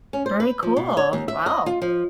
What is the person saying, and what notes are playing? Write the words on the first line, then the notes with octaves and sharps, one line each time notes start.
Very cool, wow.
C#4
C5
B4
F3
B2
C#5
D#2
E5
D#5
F4
F3